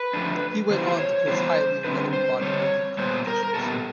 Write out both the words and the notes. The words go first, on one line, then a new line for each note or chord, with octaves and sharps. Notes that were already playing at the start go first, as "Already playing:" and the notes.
He went on to place highly in other bodybuilding competitions.
Already playing: B4
F3 A3 D4
E3 G3 B3 E4 C5
C5
C#5
E3 G3 B3 E4 C5
D3 G3 C4 B4
C5
D3 G3 C4 C#5
A#2 G3 B3 C5
A#4
A#4
A#2 G3 B3 A4